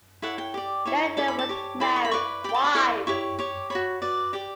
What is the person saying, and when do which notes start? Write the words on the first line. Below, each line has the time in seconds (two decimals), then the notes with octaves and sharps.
Galindo was married twice.
0.22 E4 A4 C#5 F#5
0.38 G5
0.54 G4 D5
0.85 E4 A4 C#5
1.17 E4 A4 D5 A5
1.28 B5
1.39 A5
1.49 G4 C#5
1.80 E4 A4 D5 B5
1.96 C#6
2.05 B5
2.11 E4 B4 D5 C#6
2.44 G4 D5 G5 B5
2.54 A5
2.64 B5
2.75 E4 A4 D5 C#6
3.07 E4 G4 C#5 C#6
3.39 G4 C#5
3.70 A4 C#5 B5
3.75 F#4
4.02 F#4 B4 D5
4.33 G4 D5 G5